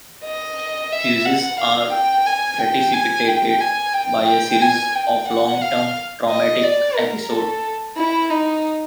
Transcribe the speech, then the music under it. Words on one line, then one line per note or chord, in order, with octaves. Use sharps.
Fugues are precipitated by a series of long-term traumatic episodes.
D#5
E5
F#5
F5
G5
G#5
G5
G#5
G5
G#5
G5
G5
G#5
G5
F#5
F5
D#5
D5
A#4
A4
E4
D#4